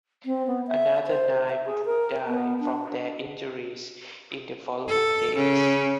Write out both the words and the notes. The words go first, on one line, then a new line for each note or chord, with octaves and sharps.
Another nine would die from their injuries in the following days.
C4
B3
E5
C5
E5
G#4
A#4
B3
D4
A4
C#3